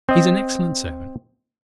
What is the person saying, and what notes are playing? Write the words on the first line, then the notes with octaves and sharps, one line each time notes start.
He's an excellent servant.
C4 D#5